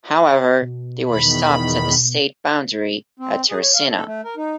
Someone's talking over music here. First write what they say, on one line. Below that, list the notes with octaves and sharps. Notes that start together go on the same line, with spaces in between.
However, they were stopped at the state boundary at Terracina.
B2
E2 D#3 B5
C4
G#4
C#5
F5
A4
A3
A#4
D#4